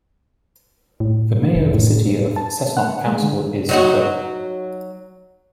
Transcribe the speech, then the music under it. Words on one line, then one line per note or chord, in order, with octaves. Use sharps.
The Mayor of the City of Cessnock Council is Cr.
A2
F1
A2
A5
F#5
G#3
D3
F#3 D#4 F#4